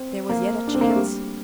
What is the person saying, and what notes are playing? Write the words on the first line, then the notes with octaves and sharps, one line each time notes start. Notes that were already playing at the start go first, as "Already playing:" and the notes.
There was yet a chance.
Already playing: C4
A#3
D4
C4
A#3
A3
G3